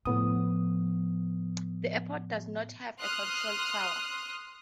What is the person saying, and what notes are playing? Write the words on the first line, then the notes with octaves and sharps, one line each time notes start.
The airport does not have a control tower.
A2 F3 B3 D#6
C6 D#6 F6 F#6